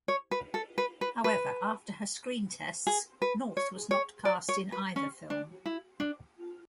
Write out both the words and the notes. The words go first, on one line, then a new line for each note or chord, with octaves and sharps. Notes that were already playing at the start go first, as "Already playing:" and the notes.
However, after her screen tests, North was not cast in either film.
C#5
B4
A4
B4
B4
B4
G#4
B4
C#5
C#5
D5
C#5
B4
C#4
D4
E4
D4